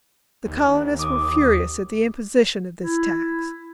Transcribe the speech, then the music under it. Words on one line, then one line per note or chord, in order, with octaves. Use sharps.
The colonists were furious at the imposition of this tax.
D#2
D6 D#6
E4